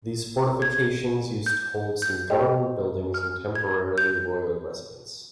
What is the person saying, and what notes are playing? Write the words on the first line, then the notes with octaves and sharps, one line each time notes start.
These fortifications used to hold some government buildings and temporarily royal residence.
G#6
G6
G6
G4 C5 D#5 G5
F6
G#6
G6